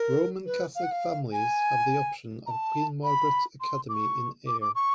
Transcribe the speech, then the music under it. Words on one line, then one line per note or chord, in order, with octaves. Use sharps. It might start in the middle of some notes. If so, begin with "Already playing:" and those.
Roman Catholic families have the option of Queen Margaret Academy in Ayr.
Already playing: A#4
B4
F5
F#5
F5
G#5
A#5
A5
B5
C6
D6
C#6
D6
D6
C#6